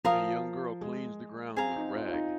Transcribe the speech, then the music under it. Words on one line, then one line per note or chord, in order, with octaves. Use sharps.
A young girl cleans the ground with a rag.
F3 A#4 F5 A#5 D#6
G#3
C4 G#4 F5 A#5
D#4
F4
F4
D#4